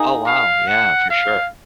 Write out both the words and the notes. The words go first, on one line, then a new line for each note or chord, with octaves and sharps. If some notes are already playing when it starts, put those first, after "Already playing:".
Oh, wow. Yeah, for sure.
Already playing: A#3 D#4 G#4
F5
F#5
F5